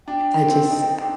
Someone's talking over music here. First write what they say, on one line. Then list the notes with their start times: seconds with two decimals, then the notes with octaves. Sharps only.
I just
0.07 D4 G5
0.49 C4
0.70 D#4
1.02 D4